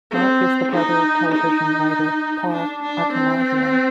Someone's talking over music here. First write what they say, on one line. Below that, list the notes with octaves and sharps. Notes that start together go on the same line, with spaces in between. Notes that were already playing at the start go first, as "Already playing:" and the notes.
Mark is the brother of television writer Paul Attanasio.
C4
D#4
D#4
D4
D4
C4